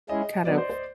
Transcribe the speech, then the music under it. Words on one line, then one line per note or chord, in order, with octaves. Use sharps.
kind of
G#3 C#4 E4 G#4 D#5
F#3 B3 D4 D5
C5
C5